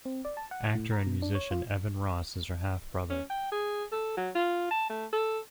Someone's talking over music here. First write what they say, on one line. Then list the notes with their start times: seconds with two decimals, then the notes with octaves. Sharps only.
Actor and musician Evan Ross is her half-brother.
0.05 C4
0.25 D5
0.37 A5
0.51 F#5
0.75 A2
0.92 A#5
1.07 B2
1.22 D4
1.35 C#5
1.51 F4
3.10 C#4
3.30 G5
3.52 G#4
3.92 A4
4.17 F#3
4.35 F4
4.71 A5
4.90 A3
5.13 A4